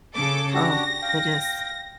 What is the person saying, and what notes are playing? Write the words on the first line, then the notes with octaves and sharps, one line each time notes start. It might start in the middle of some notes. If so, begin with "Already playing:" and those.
Oh, it is.
C#3 A4 D6
D4 F#4 G4 A#6
F5 G5